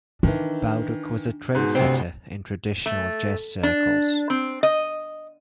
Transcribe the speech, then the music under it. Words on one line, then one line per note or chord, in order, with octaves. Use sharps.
Bauduc was a trend setter in traditional jazz circles.
D#3 E3 D4
G#2 B2
G1 D2 C3 C4
A3
D4
C4
D#5